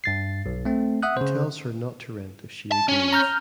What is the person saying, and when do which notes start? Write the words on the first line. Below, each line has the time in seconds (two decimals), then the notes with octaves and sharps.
He tells her not to rent if she agrees.
0.04 G2 A6 C7
0.46 B1
0.65 A3 C4
1.03 E5 F#5 D#6 F#6
1.17 C#3 C5
2.72 A5
2.89 C#4
3.13 A#5 F6 G6